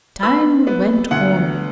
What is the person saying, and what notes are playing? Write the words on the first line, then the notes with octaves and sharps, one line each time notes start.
Time went on.
B3 B5 E6
B3
D2 F#5